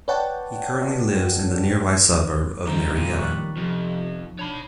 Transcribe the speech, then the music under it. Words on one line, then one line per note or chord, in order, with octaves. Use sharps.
He currently lives in the nearby suburb of Marietta.
B4 C#5 D5 F#5 G5 A5
C#2 G2 D#3 C4 A#5
D2 A#2 D3 G3 B3 C4 F4
D#3 F3 G3 C#6 F#6 A6
F2 C3 F3
D4 C#5 B5